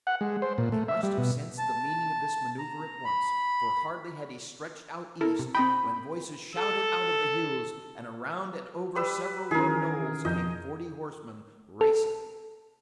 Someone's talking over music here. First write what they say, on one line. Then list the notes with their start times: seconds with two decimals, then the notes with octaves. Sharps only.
They must have sensed the meaning of this maneuver at once, for hardly had he stretched out east when voices shouted out of the hills, and around and over several low knolls came forty horsemen, racing.
0.07 F#5
0.21 G#3
0.42 C5
0.58 A#2
0.72 A3
0.88 E5
1.03 G3
1.18 B2
1.58 A5
2.58 A#5
3.05 B5
5.21 E4 A4 A#4
5.39 C3
5.55 C4 D#5 G5 B5
6.55 A4
8.95 G3 B4 E6
9.51 D#3 E3 C#4 G#4 A#4
10.25 F2 D#5 G6
11.81 A4